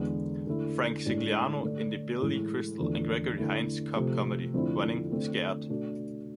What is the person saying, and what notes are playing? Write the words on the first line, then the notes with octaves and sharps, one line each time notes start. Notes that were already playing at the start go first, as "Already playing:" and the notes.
Frank Sigliano in the Billy Crystal and Gregory Hines cop comedy "Running Scared".
Already playing: E2 D3 G#3 B3
D3 A3 E4
A2 G#3 D4
D3 A3 D4
A2 E3 G#3
E2 D3 F3 A3
D3 A3 E4
C3 F3 A3
F2 D3 A3 C4 E4
D3 A3 C4
B2 A3 D4